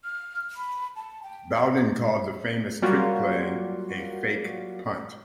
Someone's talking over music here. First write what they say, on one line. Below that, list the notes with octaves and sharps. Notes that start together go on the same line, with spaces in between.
Bowden called the famous trick play, a fake punt.
F6
B5
A5
G5
F#3 G3 A#3 F4 F#4